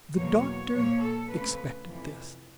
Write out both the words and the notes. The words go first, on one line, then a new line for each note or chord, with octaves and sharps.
The doctor expected this.
E2 B2 F#3 A#3 C#5
A#2 F3 A#3 C#5
A4
F2 C#3 F3 A3 B4
F2 C3 E3